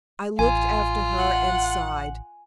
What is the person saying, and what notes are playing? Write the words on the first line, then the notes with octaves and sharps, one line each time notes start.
I looked after her and sighed.
A1 F4 G#5
F#5